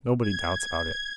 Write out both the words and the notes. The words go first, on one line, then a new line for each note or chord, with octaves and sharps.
Nobody doubts about it.
G#6